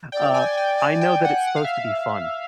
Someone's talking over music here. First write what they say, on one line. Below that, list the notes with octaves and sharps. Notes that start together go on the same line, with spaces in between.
uh, I know that it's supposed to be fun,
D5 G5
G#5
G5
G#5
G5
F#5
F#5
F5
E5
F5